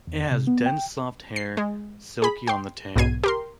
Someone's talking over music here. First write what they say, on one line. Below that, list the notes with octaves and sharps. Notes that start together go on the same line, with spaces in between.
It has dense, soft hair, silky on the tail.
E2
C3
B3
G5
C7
G#3
G#4 B5
G5 C6
B1 G#2 B2 G#6 C7 D#7
G4 A#4 C6